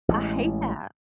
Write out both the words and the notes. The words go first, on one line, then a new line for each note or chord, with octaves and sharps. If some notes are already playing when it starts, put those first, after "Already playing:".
I hate that.
A1 A2 C#3 G#3